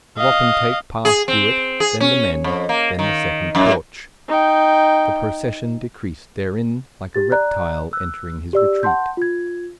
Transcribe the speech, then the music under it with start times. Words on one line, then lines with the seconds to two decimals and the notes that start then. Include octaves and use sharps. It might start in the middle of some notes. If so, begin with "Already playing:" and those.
The wapentake passed through it, then the men, then the second torch. The procession decreased therein, like a reptile entering his retreat.
0.17 D#5 F5
1.05 G#4
1.28 C4
1.80 G#4
2.00 C#4
2.44 F2
2.69 A#3
2.99 D#3
3.55 F#2
4.29 D#4 G5
7.15 G4 A6
7.32 D5 A#5 F#6
7.93 E6 F#6
8.53 G4 D5 E6
8.83 F#5 A5 C6 G6
9.17 F4 G#6